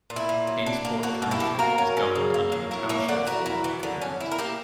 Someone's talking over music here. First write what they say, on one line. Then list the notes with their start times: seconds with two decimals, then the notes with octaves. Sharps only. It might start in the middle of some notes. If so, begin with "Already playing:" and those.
Hainesport Township is governed under the Township form of government.
0.10 A#2
0.16 E4
0.29 A#2
0.47 F#3
0.66 D4
0.85 A#3
1.03 A#3 F#4
1.22 B2
1.31 E4 G4
1.40 B2
1.59 A#3 F#4 A#4
1.78 C#4
1.97 C#4
2.16 C#3
2.34 A#3
2.52 F#3
2.71 E4 A#4 C#5
2.89 A#3 C#5 E5
3.08 D3 D5 F#5
3.27 E4 F#4 A#4
3.46 E4
3.64 E3
3.83 D3
4.02 C#4
4.21 E4
4.32 A#4
4.38 A#3 E4 G4